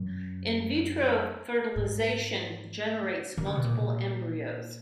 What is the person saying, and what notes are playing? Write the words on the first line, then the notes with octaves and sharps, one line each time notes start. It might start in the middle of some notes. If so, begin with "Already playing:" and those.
In vitro fertilization generates multiple embryos.
Already playing: F#2
G#2
D#3
C#3
B2
A#2